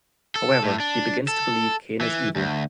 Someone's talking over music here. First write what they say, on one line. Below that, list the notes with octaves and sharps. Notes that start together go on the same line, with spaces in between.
However, he begins to believe Kane is evil.
A4
A2
D4
A4
E3
D2